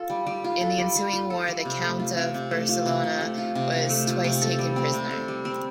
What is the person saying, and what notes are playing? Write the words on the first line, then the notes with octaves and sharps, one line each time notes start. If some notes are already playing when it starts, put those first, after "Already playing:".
In the ensuing war the Count of Barcelona was twice taken prisoner.
Already playing: F4 A4
G3
G3
F4
A4
G3
G3
F4
A4
G3
C3
A3
F4
C3
C3
A3
F4
C3
C3
A3
F4
C3
C3
A3
F4
C3
A4
G3
C4
C3
A4
G3
C4